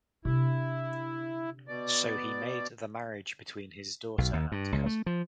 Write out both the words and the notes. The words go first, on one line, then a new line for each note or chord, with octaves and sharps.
So he made the marriage between his daughter and cousin.
C3 D4 E4
B2 D5
B1
D#2
G2
C#2
A3
F3